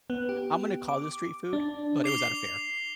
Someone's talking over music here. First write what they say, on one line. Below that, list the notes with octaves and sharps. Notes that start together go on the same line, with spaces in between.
I'm gonna call this street food, but it was at a fair.
B3
G4
D6
D4
D6 C7 F7 G7